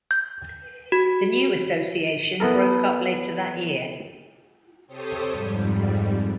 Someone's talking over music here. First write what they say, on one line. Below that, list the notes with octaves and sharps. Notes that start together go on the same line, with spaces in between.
The new Association broke up later that year.
G6
F#4
B3 E4 A4 A#4
C3 G4 A4 C5 C#5 D#6
F2 G#2 G3